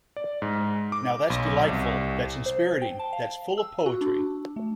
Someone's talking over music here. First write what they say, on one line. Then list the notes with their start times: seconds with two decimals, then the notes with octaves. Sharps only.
Now that's delightful, that's inspiriting, that's full of poetry!
0.16 D5
0.42 G#2
0.92 D6
1.30 B1
1.68 C2
2.46 C5
2.82 G5
2.99 A5
3.13 F5
3.58 E6
3.86 F#4
4.01 D4
4.56 A3